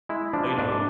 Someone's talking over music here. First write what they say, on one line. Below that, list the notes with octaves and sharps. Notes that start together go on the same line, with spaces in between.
but, l you know,
G#3 E4
F3 D4
G#2 D4